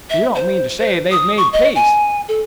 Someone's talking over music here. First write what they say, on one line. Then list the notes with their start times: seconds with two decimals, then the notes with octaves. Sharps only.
"You don't mean to say they've made peace?"
0.10 E5
0.35 C5
0.79 C5
1.11 D#6
1.37 C#6
1.53 D#5
1.75 G#5
2.29 A4